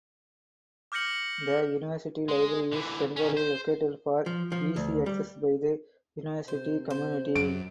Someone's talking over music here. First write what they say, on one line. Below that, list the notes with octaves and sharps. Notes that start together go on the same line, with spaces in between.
The university library is centrally located for easy access by the university community.
D6 F6 G6 A#6 C#7 F#7
G#3
D3 E3
D#3 C#4
C5
F3
F3
D2
G3
C3 C5
C5
F#2 D7